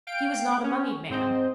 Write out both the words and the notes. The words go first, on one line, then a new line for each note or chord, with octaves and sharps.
He was not a moneyed man.
F5 G5 D7
C#4
G#2 C4 C5 D#5